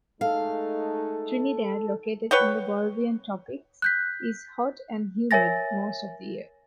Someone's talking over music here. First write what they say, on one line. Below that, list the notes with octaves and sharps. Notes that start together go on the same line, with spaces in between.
Trinidad, located in the Bolivian tropics, is hot and humid most of the year.
G#3 A3 D#4 A4 F5
B4 C#5 F#5 G5
F#6 G6 B6
A#4 C#5 E5 G#5 A6 A#6